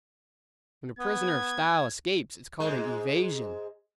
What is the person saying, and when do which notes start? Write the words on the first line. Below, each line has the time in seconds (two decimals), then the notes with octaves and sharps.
When a prisoner of style escapes it's called an evasion.
0.99 B3 G#6
2.60 G#2 G#3